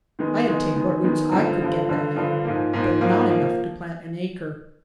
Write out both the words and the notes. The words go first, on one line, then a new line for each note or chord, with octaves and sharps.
I obtained what roots I could get that year, but not enough to plant an acre.
D#3 G#3 B3
D#3 G#3 B3
D#3 G#3 B3
D#3 G#3 B3
G2 D3 F3
G2 D3 F3
G2 D3 F3
G2 D3 F3
G#2 F3 A#3
G#2 F3 A#3
G#2 F3 A#3
F3 A#3